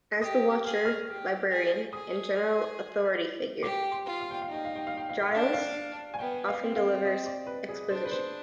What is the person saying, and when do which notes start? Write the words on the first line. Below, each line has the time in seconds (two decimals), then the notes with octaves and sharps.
As the Watcher, librarian, and general authority figure, Giles often delivers exposition.
0.22 G4 D#6
0.65 G#4 F6
0.85 F6
1.07 G4
1.50 G#4
1.93 G#4 D#6
3.63 G4 D6
3.92 C6
4.06 F4
4.20 F5
4.31 G5
4.42 F5
4.49 D#4
4.54 G5
4.65 F5
4.76 G5
4.87 F5
4.97 G5
5.09 F5
5.20 G5
5.31 D4 F5
5.42 G5
5.53 F5
6.14 G#5
6.19 B3 G5
6.48 F5
6.62 C4
6.76 F5
7.05 D#5
7.26 D5
7.47 B4
7.69 G#4
7.90 D4 C5
8.05 B4
8.11 C5